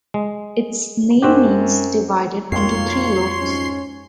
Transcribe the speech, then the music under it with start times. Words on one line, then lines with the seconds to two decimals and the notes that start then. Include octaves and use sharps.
Its name means 'divided into three lobes'.
0.14 G#3
1.22 F#2 C4 F#4 G4
2.52 B1 F2 A#3 C#5 C6 C7
3.40 G#2 C#4